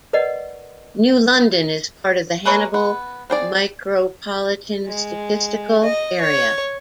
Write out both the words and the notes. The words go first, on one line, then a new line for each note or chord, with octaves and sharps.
New London is part of the Hannibal Micropolitan Statistical Area.
A#4 B4 D5 D#5 F#5
A#3 G#4 B4 C#5 E5
B3
C4 G#4 D5
G#3
D#5
C#5